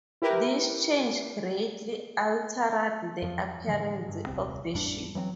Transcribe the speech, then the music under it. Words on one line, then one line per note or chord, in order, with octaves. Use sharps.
This change greatly altered the appearance of the ship.
E4 G4 A#4 B4
F2 F3
A2 D3 E3 F3
G2
D#1 C2 C4
A1 F2 G3 D4
E3 F#3 A#3 C4